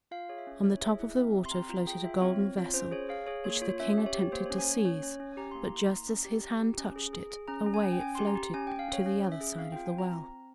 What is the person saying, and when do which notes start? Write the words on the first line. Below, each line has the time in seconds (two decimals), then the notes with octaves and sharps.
On the top of the water floated a golden vessel, which the King attempted to seize; but just as his hand touched it, away it floated to the other side of the well.
0.11 F4 F5
0.29 G#4 C#5
0.38 E5
0.47 C#4
0.63 E4 C#5
0.81 G#4 E5
0.99 E4 E5
1.17 C4 E5
1.34 G4
1.45 C6
1.51 C4 A#5
1.69 F4 A#5
1.87 G#4 G5
2.04 F4 E5
2.22 C4 C#5
2.39 C4
2.58 F4
2.74 C#4 C5
2.91 G#4 C#5
3.09 G#4 F5
3.27 G#4 C#5
3.44 A#3 C#5
3.62 F4 C#5
3.80 C#4 E5
3.98 G4
4.06 C#5
4.14 G4
4.32 A#3 C5
4.46 C#4 C#5
4.58 G#5
4.67 A#3 C#5
4.85 C#4 C#5
5.03 C#4 C#5
5.20 C#4
5.33 G#5
5.37 G4 A#5
5.51 A#3 C6
5.64 A#5
5.72 E4 C6
5.90 A#3 A#5
6.08 C#4
6.25 G4
6.43 G4
6.60 G4
6.78 C#4
6.96 G#4
7.13 G#4
7.31 G#4
7.48 C#4 A#5
7.66 C#4
7.74 G#5
7.83 C#4
7.92 G5
8.00 C#4 G#5
8.15 G4 C6
8.27 A#5
8.36 G4
8.54 C#4 G#5
8.67 C#4 G5
8.79 F5
8.89 C#4 C#5
9.06 C#4
9.24 C#4
9.32 E5
9.41 G#4
9.58 C4 F5
9.72 F4 G5
9.85 G#5
9.94 C4 A#5
10.11 C4 A#5
10.28 C4